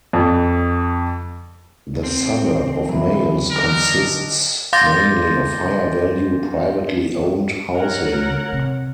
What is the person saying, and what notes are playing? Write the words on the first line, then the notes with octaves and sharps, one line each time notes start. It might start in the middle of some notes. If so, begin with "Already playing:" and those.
The suburb of Mayals consists mainly of higher value privately owned housing.
F2
C4
D3 F#3 E4
D4 D#4 A#4
F5 C6 D6 G6 A6 A#6
A#4 C#5 F#5
C3